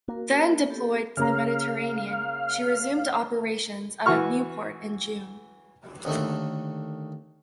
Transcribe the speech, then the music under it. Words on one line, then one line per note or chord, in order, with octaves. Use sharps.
Then deployed to the Mediterranean, she resumed operations out of Newport in June.
A#3 F#4 A#4
B3 G4 A4
C#3 A#3 F5 A#5
E3 F#4 C#6 F6
D#2 D3 D#3 A3